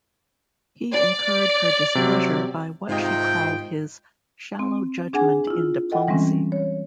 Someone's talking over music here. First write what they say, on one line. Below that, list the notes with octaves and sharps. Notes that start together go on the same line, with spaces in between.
He incurred her displeasure by what she called his "shallow judgement in diplomacy".
D5
C3 F#3
G#2 C3 D#3 F4 D#5 G5
C4
D4 G#4 F#5 G#5
E4 F4
A4 D#5 F#5 G5
E3 G3 G#3 C4 C#4
C#5